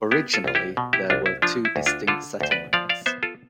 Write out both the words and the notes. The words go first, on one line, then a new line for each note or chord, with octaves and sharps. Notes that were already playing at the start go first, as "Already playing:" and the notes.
Originally, there were two distinct settlements.
B3 E4 G4
F4 A4
C2 F4
E4 G4
B2
E4 G4
C2 D4 F4
E4
F3 D4 F4
E4
D2
D4 F4
D3 F4 A4
D2 C5
B4 D5
F3 D5 F5
D5 F5
B3 C5 E5
F4 A4